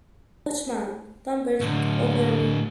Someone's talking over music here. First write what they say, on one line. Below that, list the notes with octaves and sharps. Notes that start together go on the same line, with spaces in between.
A watchman tumbled over me.
A2 D3